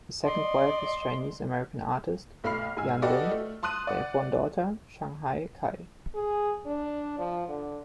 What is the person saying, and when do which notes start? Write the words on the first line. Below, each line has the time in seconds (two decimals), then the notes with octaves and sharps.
His second wife is Chinese-American artist, Yan Lin; they have one daughter, Shanghai Kaye.
0.24 D5 D#5 C6
2.44 B1 A3 B5 F6 C7
2.77 G#2 G#5 E6
3.02 F#4 G4 A4 B4 D5 D#5
3.32 A3
3.63 A5 C6 D#6 F#6 D#7
3.87 D5 F#5
6.15 G#4
6.66 D4
7.19 F3
7.48 D3